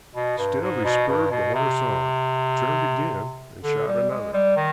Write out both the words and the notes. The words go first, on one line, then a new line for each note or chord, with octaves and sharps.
Still he spurred the horse on, turned again and shot another.
B2
G2
G#2
B2
G2
B2
C3
D3
G3
G#3
G3
D#3